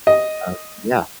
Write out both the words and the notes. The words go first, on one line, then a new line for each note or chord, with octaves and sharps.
uh, yeah.
D#5